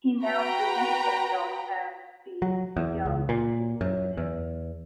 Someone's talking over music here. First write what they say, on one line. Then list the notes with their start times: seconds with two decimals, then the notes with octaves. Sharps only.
He now presents himself as the "young conservative".
0.22 F#4 B4 F#5 G5 A#5 B5
2.42 F#3
2.77 E2
3.05 C#2
3.29 A#2
3.81 F#2
4.17 E2